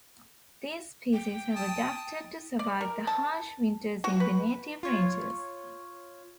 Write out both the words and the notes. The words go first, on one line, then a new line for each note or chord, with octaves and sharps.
These species have adapted to survive the harsh winters in their native ranges.
G5
A5 D#6
D5
A#4
A5
F#4
B4
F4 C#5